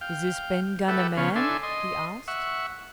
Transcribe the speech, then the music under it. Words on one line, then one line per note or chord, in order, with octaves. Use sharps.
"Is this Ben Gunn a man?" he asked.
F5 G5
G4 A4 B4 E5 F#5
C#3 B3 F4 C#5
D4 A4 E5 G#5 C6
D#5 C6
E5 F#5 C#6